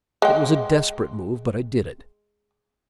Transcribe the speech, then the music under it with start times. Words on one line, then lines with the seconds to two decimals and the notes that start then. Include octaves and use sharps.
It was a desperate move, but I did it.
0.22 G#3 G5